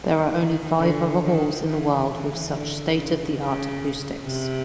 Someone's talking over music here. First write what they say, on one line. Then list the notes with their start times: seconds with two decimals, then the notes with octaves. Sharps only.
There are only five other halls in the world with such state-of-the-art acoustics.
0.36 D#3
0.80 D3
1.23 D#3
1.66 E3
2.08 E3
2.52 D3
2.95 C#3
3.38 C#3
4.24 C3